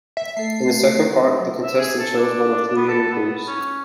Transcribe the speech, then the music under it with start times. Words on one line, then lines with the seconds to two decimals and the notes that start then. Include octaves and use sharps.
In the second part, the contestant chose one of three hidden clues.
0.17 E5
0.37 A3 A4 C7
1.11 F#3 F#5 B5
1.63 E5
1.78 G#4
1.99 A4
2.17 D4
2.76 B3
2.88 A4
3.12 B3
3.47 C#4